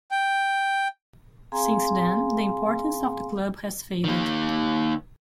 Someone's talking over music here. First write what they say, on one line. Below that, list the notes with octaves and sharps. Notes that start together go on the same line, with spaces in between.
Since then, the importance of the club has faded.
G5
C4 G#4 F5 G#5 A#5 C6
D#3 A#3